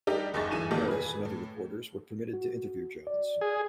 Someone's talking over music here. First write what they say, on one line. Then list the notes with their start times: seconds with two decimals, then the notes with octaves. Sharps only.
Harris and other reporters were permitted to interview Jones.
0.07 G3 D4 D#4 G4 A#4
0.34 F#1 D#2 D#4 G#4 C#6 A6
0.51 G1 E3 G#4 D#7 E7
0.71 F2 A#2 D#3 G3 A#3
0.87 G#4 B4
1.25 A2
2.33 F#4
3.07 D5
3.41 G#4